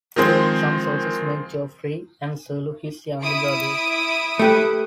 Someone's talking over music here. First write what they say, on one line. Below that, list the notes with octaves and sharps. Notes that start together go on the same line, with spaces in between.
Some sources make Geoffrey and Serlo his younger brothers.
D#3 F3 G#3 C4 G#4 C5
E4 D#6 D7
A3 G4 B4